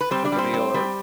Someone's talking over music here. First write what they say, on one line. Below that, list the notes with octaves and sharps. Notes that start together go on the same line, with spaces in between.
cook a meal or
B4
G3 C4 C5
D4 D5
G3
C4 C5
C4
G3